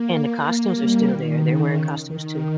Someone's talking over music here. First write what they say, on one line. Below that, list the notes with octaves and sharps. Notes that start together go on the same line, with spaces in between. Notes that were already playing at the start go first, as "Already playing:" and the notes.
And the costumes are still there, they're wearing costumes too.
Already playing: A#3
A#3
G3
D#3
C#3
D#3
D#3